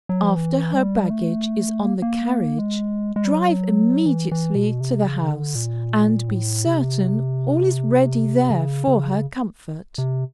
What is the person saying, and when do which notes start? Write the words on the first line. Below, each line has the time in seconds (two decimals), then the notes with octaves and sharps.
After her baggage is on the carriage, drive immediately to the house, and be certain all is ready there for her comfort.
0.09 F#3
0.23 F3
0.36 E3
0.74 G3
1.10 A3
1.85 A#3
2.02 A#3
2.59 G#3
3.16 G#3
3.25 G3
3.32 F#3
4.06 E3
4.32 E3
4.55 B2
4.81 C3
5.05 C#3
5.29 D3
5.55 A#2
6.28 A2
6.66 C3
8.50 C#3
8.87 C#3
9.98 C3